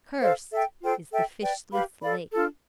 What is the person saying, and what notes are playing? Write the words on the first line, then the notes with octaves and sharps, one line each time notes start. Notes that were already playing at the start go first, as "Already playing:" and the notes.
"Cursed is the fishless lake!"
A4 C5 F5
A4 E5 G5
F4 A4 C5 G5
A4 E5 G5
B4 D5 G5
G4 B4 F5 B5
A4 D5 F5 B5
D4 F4 A4